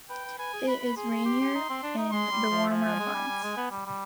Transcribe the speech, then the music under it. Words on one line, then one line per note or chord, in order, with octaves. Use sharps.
It is rainier in the warmer months.
B4 G5
B4
B4 G#5
G#4
B4 B5
B4
G#4 C6
G#4
G4
G4
D#4
C4
D4
D#4
G#3 C6
G3
F3
F3 G#5
F3
G#3
G3
G3
G#3
B3
G3
G3